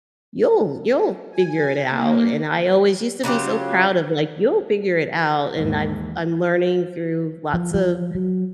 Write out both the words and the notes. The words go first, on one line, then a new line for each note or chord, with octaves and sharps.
you'll you'll figure it out," and I always used to be so proud of, like, "You'll figure it out," and I'm f I'm learning through lots of
G#5
A#3
C#3 F#3 F4 G4
D#2 G#2 E3
F3
F3
F#3